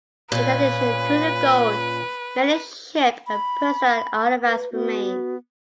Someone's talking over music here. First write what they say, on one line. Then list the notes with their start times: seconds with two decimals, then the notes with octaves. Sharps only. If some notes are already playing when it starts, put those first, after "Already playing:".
In addition to the gold, many ship and personal artifacts remain.
0.32 A#2 C#4 B4
3.27 B5
4.43 B4
4.72 B3 F#4